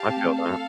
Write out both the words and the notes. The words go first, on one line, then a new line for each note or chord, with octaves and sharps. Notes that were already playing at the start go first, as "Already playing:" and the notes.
I feel that.
Already playing: G4 F5 A5
C4
A3
C4
A4 F5